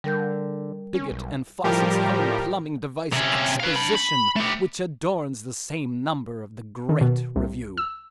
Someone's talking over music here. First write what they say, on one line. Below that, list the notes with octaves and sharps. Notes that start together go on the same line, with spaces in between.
Spiggott and Fawcett's Home Plumbing Device Exposition which adorns the same number of the great review.
D3 G3 A#4 G6
C#4
B1
A2 F3 G3 G4 A#4
C3 C#4
B4 F5
D4 B5
B5
A3 G4
D#3
B2
C2
E6